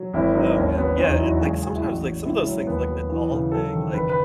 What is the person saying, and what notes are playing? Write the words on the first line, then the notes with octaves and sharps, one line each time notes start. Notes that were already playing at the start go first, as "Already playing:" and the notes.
Oh, man. Yeah, it like sometimes, like, some of those things, like, the doll thing, like
Already playing: F#3
G#1 E4
F#3 D#4
D#2 C#4
F#3 B3
E2 C#4
D#4
F#3 E4
F#4
C#2 G#4
F#3 G#4
F#4
E4
A1 F#4
F#3
C#2 E4
F#3 C#4
D#2 B3
F#3
E3
C#3
F#3 A4
D#3
F#1 B4
B4